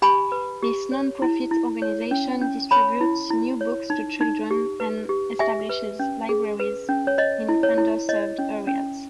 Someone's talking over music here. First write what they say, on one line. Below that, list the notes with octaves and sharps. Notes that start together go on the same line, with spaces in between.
This non-profit organization distributes new books to children and establishes libraries in under-served areas.
G4 G#5 B5
B4
G4
C#5
E4
E4
C#5
C#4
C#4
C#5 G#5 B5
E4
E4
C#5
D#4
D#4
G4
B4
G4
G4 E5 G#5
B4
C#4
G#4
B4
C#4
C#5
C#5 D#5
E4
C#5
E4
C#5 D#5
C#4
C#4